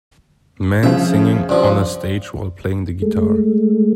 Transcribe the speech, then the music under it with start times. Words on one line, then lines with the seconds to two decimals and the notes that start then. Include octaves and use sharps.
Man singing on a stage while playing the guitar.
0.83 C#3 F3 E5
1.49 G2 F3
3.02 G#3 A3